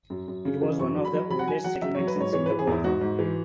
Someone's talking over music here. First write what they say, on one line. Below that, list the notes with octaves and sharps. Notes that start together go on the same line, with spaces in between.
It was one of the oldest settlements in Singapore.
F#2
F#2
C#3
E3
F#2 C#6
F#3
B5
F#3
F#3 B5
F#5
F#3 G#5
F#3 F#5
F#3 E5
F#3 C#5
B4
G#2 C#5
E3 C#5
E3 B4
G#4
E2 E4
G#2 F#4
G#2
E3